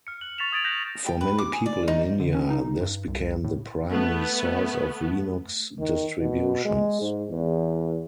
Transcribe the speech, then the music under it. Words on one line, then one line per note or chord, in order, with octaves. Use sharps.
For many people in India, this became the primary source of Linux distributions.
F6 C#7
F#6 F#7
C#6 A6 B6 E7 F7
D#6 G#6 A6 D7 D#7 F7
F#6 G6 A#6 B6 E7
G5
B4
D6
G#4
D5
D#4
D3
C#4
D#4
G2
C2
A2
A3 B3
D#3
B2
G#3
G#2
E2